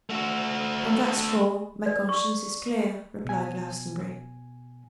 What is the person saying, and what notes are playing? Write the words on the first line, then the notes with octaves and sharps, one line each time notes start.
'On that score my conscience is clear,' replied Glastonbury.
A3 F#4
D5
C#6
B2 G#5